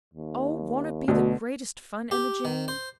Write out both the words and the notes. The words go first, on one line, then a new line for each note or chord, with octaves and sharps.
Oh! won't it be the greatest fun, Emma Jane?
D#2
D2 B2
G4
D#3
C5